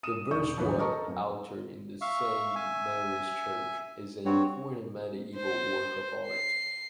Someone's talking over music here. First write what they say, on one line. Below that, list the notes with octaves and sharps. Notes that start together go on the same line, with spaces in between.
The Berswordt altar in the St. Mary's Church is an important medieval work of art.
D#6 D#7 E7
E1 D5 C#6 D#6 G6
D#1 A#1 G#2 F#3 B4 C#5
A4 A#4 D#5 A5 A#5 C#6
F#2
E5 F5 C#6
E5 G#5
G2 C4 F#4 C#5
C5
C7